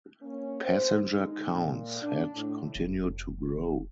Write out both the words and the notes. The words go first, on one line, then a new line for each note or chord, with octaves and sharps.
Passenger counts had continued to grow.
A#3 C#4
C5
G#3 D#4
A#2
D4
A2
F1